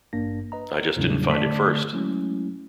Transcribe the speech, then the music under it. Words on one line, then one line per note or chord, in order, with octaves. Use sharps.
I just didn't find it first.
G#1 G2 A#3 D4 A#6
B4 D#5 A#5
E2 A2 C#3 F#3 G3 D4
D3 A3 D5 A5 D6 B6
F#3 G#3 A3 C#4 E4